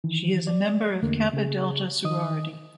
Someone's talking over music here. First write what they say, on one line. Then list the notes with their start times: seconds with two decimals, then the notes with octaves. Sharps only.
She is a member of Kappa Delta sorority.
0.04 D#3 E3
0.47 D5
1.02 E2 D3 A3 A#3
1.33 C#3 G#4
2.04 D#3 D#5 D#6